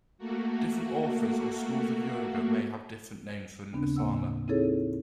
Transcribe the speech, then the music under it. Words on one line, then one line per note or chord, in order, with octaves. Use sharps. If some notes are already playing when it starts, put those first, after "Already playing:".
Different authors or schools of yoga may have different names for an asana.
A3 A#3 F#4
D#2 C#3 B3 C4 D4
A2 A#3 F#5 E6
C4 D#4 E4 G#4 A4 C#5